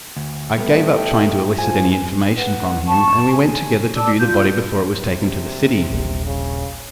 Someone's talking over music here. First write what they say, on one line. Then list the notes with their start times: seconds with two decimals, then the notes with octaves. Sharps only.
I gave up trying to elicit any information from him, and we went together to view the body before it was taken to the city.
0.17 D2
0.58 G3 A3 B3
0.97 G4
1.59 F3 G#5
2.36 B4 F#5
2.87 A5 C#6
3.30 G#5
3.96 D5 A5 D6 E6
4.18 F4 G6
4.94 C3
5.90 D#1 A#1 A#2
6.26 C#3